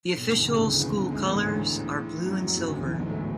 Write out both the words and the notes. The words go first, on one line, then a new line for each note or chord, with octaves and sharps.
The official school colors are blue and silver.
B1 B2
D2 D3
E2 E3
C#2 C#3
D2 D3
E2 E3
D2 D3
G#2 G#3
A1 A2
G#2
A1 A2
F#2 F#3
F#2 F#3
E2 E3
D2 D3
E2 E3
E2 E3
F#3
G#2 G#3
A2 A3